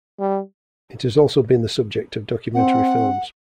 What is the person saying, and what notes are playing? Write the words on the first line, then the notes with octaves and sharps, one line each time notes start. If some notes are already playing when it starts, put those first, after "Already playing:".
It has also been the subject of documentary films.
G3
C4 F#5